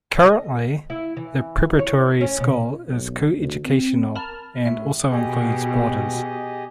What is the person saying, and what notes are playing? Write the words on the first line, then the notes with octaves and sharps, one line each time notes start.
Currently, the preparatory school is co-educational and also includes boarders.
D#5
E4
E3
C#5
C#4
B2
B1
D2
C4
A#4 A5 B5 F6
A2 E5
B2 G4 G#4 D#5